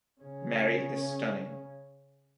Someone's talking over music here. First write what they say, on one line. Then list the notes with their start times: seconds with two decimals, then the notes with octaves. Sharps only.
Mary is stunning.
0.21 C#3 C#4